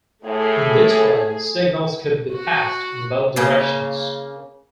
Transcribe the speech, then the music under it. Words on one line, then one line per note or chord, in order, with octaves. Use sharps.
In this way signals could be passed in both directions.
A2 A3 G#4
F#4
C#3 A#3